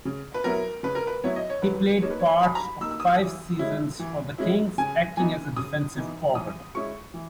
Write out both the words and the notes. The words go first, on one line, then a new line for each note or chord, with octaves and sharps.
He played parts of five seasons for the Kings, acting as a defensive forward.
C#3
B4
F#3 B3 E4 A#4
C#3 B4
A#4
B4
F#3 B3 E4 C#5
D#5
C#5
F#3 B4
A#3 D#4 C#5
B4
C#5
F#3 B5
A#5
B5
A#3 D#4 E6
E6
D#6
E3
G#3 C#4 E4
E3
G#3 C#4 E4
C#3 G#5
E3 B3 D#4 G#5
C#3 D#6
E3 B3 D#4
E3 D#6
G#3 C#4 E4 C#6
E3